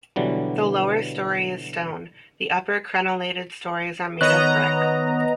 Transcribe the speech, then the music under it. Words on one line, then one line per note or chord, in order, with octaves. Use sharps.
The lower story is stone; the upper crenelatted stories are made of brick.
B2 D3 E3 F#3 G3
D#3 B3 C#5 D#5 A#5 F#6